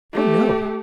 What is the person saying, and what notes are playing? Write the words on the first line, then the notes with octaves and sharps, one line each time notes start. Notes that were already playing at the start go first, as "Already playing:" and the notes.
"Oh no."
A3 G4